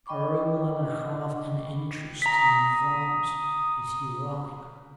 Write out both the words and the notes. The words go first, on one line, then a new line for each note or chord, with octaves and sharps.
"A rouble and a half, and interest in advance, if you like!"
D#5 G5 B5 C#6 D6
A#5 D#6 B6